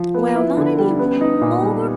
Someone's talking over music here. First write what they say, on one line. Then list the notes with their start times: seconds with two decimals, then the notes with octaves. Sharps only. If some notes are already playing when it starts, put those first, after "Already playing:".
Well, not anymore
Already playing: F3
0.14 B3
0.36 E4
0.57 D3
0.79 G3
0.99 B3
1.21 D#4
1.41 A#2
1.63 G3